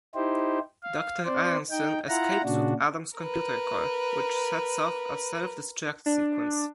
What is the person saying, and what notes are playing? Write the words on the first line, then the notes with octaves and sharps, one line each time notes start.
Doctor Aaronson escapes with Adam's computer core, which sets off a self-destruct sequence.
D#4 E4 G4 C5
F5
C4 C5 D5
D#4 G5
E4 F4 F#5 A#5
A#2 C#3 D4 F#4
A#4 B4
D4